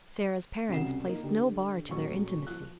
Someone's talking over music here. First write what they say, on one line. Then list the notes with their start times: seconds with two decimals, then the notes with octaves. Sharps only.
Sara's parents placed no bar to their intimacy.
0.69 C2 C#3 F#4 F#5 C7 E7
1.05 A#3 D#4
1.23 D3 G4
1.88 D#1 F#3 C#6
2.47 F3 F#6